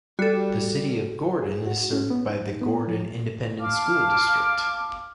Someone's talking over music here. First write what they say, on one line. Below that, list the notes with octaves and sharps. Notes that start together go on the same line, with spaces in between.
The City of Gordon is served by the Gordon Independent School District.
G3 F#4 A4
G#4
F#4
C#4
B3
D#4
B3
F3
F5 A5 D6 F6